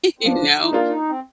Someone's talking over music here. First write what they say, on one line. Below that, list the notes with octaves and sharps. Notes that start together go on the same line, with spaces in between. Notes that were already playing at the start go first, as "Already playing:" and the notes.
you know,
C4
F3 D4
D#4
A#3 D4 F4
D#4
C4